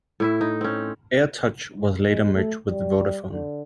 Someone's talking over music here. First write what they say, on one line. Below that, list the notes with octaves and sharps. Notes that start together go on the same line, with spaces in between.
AirTouch was later merged with Vodafone.
A2 E4 E5
D#4
C4 C#4
G#3
A3
G3
D3